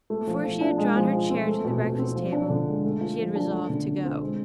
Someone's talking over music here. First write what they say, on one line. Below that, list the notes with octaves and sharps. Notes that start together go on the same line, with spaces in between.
Before she had drawn her chair to the breakfast-table she had resolved to go.
A3
F3
F3
D4
G#3
F3
F3
C4
A3
B2
B2
C4
F3
D4
D3
G#3
A3
F4
F3
D4
A3
D3
D3
C4
G#3